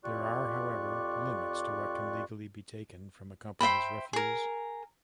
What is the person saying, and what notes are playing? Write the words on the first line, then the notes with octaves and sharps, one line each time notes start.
There are, however, limits to what can legally be taken from a company's refuse.
F2 F4 G4 D5 C#6 F#6
C5 E5 G5 B5
G#4 A#4